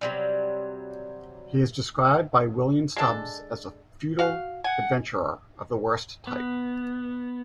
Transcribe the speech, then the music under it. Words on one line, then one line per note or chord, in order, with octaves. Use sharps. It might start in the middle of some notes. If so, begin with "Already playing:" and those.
He is described by William Stubbs as "a feudal adventurer of the worst type".
C3 F#3 G3
G#3 D4 A4
F#4 F5
F#5 G#5
B3